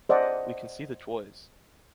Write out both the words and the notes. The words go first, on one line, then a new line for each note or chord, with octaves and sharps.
We can see the toys...
C5 D5 D#5 F#5 A5